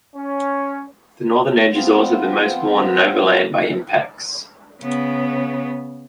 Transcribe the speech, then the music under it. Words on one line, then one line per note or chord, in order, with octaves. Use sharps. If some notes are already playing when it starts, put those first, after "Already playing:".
The northern edge is also the most worn and overlain by impacts.
C#4
F3 B3 C4 F4
C#3 B3